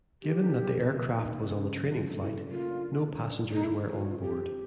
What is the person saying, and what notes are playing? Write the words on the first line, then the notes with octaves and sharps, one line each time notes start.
Given that the aircraft was on a training flight, no passengers were on board.
D#4 G4
D3
F3
A#3
D3
D#4
C#3
C#3
F#3
F#3 F4
A3
E4
C#3
A#3 F4
D4
A#3
D3
D4
A#3
D#4
D3 E4
D3
F4
G3 F#4
F4
C4 G4
C4